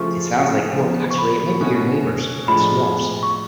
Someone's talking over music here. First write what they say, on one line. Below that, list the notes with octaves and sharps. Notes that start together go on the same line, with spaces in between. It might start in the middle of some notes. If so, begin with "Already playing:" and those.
it sounds like well, actually it might be your neighbors swarms.
Already playing: C#3 F3 A3 F4 C#6
F3 B3 F4
C#6
B5
B2 A3 C#4 F#4
A2 F3 G#3 D4 F4 B5
C#6